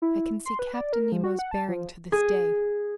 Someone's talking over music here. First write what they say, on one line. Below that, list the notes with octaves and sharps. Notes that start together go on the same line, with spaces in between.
I can see Captain Nemo's bearing to this day.
E4
C6
B4
D5
A#4
F3
F#4
F#5
A5
F3
G#4